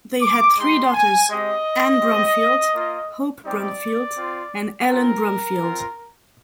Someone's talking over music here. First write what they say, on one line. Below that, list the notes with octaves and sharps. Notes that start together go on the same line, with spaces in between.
They had three daughters, Ann Bromfield, Hope Bromfield and Ellen Bromfield.
D6
G#3 D#4 G4 C6
G#5
G#3 C4 G4 D#5
C4 G4
A#3 F4
G3 C4 D#4 G4 D5
C4 F4
C4 F4 A#4
C4 F4